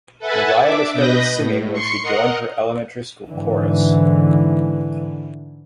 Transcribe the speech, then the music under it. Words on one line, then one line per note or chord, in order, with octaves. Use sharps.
Mariah discovered singing when she joined her elementary school chorus.
A4 B4 E5 F#5 G#5 A5
D4 E5 D6
B2 B4 D#5 G6 A#6
A2
C6 C#6 C7 C#7
A#4 D#5 F#5
G#2 D3 E3